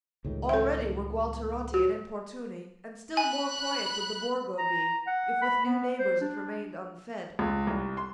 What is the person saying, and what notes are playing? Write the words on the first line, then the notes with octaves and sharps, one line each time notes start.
Already were Gualterotti and Importuni; And still more quiet would the Borgo be If with new neighbours it remained unfed.
C#2 A2 D#3
A4 E5
F#4
G#5 B5 F#6
A#5
F#5
B5
B3
C5
D4
C#2
C2
C6